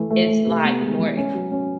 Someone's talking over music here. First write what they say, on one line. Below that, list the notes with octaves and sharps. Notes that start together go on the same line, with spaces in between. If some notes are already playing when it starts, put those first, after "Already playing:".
it's like more
Already playing: E3 A3
A3
A3
C3
B3
G#3
E3
C#4
F#3
C#4